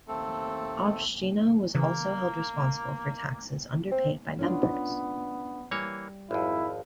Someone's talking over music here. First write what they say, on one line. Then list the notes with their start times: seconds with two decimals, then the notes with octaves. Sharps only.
Obshchina was also held responsible for taxes underpaid by members.
0.08 D#2 A3 C4 A4
1.75 C#3 E3 A#3
3.91 C4
4.39 B3 C#4 D4 F4
5.71 E3 G3 A#3 C#5
6.31 G#1 F2 E4